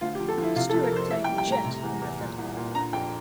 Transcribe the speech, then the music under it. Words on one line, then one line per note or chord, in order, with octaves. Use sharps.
Stewart played Jett in the film.
D2 F4
G4
F3
A4
F3 E4
C3 F4
A4
F3
A#4
F2 C5
E3 E5
G5
G3
G5
A2 A#5
C3
E2
E2
A#2
C2
A#2
D3 A#5
F2 G5